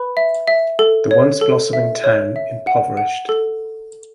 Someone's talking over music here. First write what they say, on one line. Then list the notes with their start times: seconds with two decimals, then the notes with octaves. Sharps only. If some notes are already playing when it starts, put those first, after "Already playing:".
The once blossoming town impoverished.
Already playing: B4 B5
0.17 E5
0.48 E5
0.79 A4
1.11 C#5
1.41 A4
1.73 E5
2.04 C#5
2.36 E5
2.67 F#5
2.97 F#5
3.29 A4